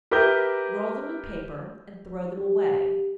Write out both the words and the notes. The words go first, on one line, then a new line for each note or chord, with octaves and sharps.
Roll them in paper and throw them away.
G4 A#4 B4 E5 D6 G6
G4